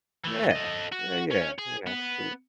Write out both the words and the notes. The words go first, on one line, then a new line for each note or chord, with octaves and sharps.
Yeah. Yeah, yeah. Yeah. Absolute
E3 A3
A4 D#5
F#4
C#4
G#4
B3